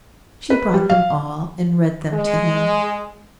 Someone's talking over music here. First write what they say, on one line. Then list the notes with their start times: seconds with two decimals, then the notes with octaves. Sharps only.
She brought them all, and read them to him.
0.50 B4
0.74 G3
0.90 F5
2.12 G#3